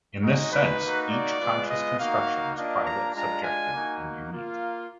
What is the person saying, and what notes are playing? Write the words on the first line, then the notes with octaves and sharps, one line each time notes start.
In this sense, each conscious construction is private, subjective, and unique.
G#3 D#4 F#4 D#5
B4
A#3 D#4 F#4
D5
G#3 B3 F4
D#5
A#3 D#4 F#4 F5
A#3 D4 F4 D#5
A#5
G#3 D4 F4 A#5
G#5
A#3 D#4 F#4
A#3 F4